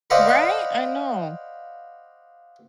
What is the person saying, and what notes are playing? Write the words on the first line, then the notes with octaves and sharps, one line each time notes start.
Right, I know.
C5 D5 D#5 F5 F#5 B5